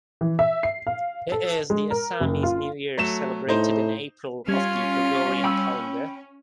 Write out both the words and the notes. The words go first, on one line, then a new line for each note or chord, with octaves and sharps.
It is the Assamese new year celebrated in April of the Gregorian calendar.
E3
E5
C7
F5
A4
G#3
A#4
F#1
F4
F#3 A3 E7
A2 D#4 C5
G3 C#4 F4 F6 G#6
G5 B5 E6